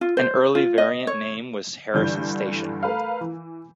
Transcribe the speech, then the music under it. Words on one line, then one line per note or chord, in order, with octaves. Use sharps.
An early variant name was Harrison Station.
F4
C5
F4
D#5
C#5
G2 D3 E3 G6
A3 A#4 B4 F5
E3